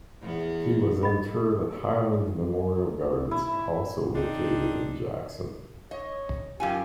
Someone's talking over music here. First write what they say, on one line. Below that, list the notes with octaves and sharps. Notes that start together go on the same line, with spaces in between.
He was interred at Highland Memorial Gardens, also located in Jackson.
E2 B3
D#5 B5
E4
C4 D4 D#4
C#5 D#5
F#2 F4 G4 G#5